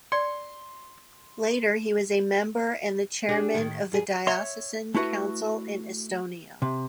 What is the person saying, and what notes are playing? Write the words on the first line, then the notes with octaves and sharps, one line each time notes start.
Later, he was a member and the chairman of the Diocesan Council in Estonia.
D5 C6 G#6 C#7
D4 G4 G#4
A2 D#3
G2 G#4
C#5 E5 C6
A3 E4 F#4 B4
C3